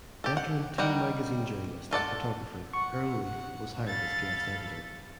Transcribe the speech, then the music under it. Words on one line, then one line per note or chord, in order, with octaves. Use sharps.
Veteran teen magazine journalist and photographer Earl Leaf was hired as guest editor.
G4 A4
F#5
D#3 G3 D#4 F#5 G5
F4 A4 D5 F#5
F#5 C#6
A4 F5 B5 A6